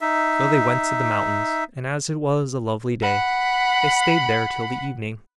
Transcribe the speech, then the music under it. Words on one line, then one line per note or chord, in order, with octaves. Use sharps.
So they went to the mountains; and as it was a lovely day, they stayed there till the evening.
D#4 E5
F#5 B5